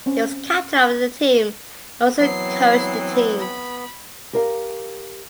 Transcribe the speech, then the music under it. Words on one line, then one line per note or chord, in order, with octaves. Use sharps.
He was captain of the team and also coached the team.
C4 C#4
E3 F#3 B3 C4 C7
B5
G4 A#4 F5